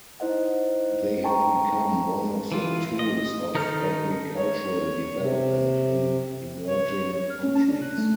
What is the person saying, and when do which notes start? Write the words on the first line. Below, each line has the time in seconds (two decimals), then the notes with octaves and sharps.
They have become one of the tools of agricultural development in emerging countries.
0.20 D#4 E4 C5 D#5 F#5
1.24 G5 A5 A#5 C#6
2.52 E3 F4
2.99 D#5
3.55 D#3 D#4 A4 F6 G6
4.36 C#5
5.17 C3
6.67 C#5
7.30 F6
7.43 C#4
7.55 A5
7.68 D4
7.81 F#6
7.97 A3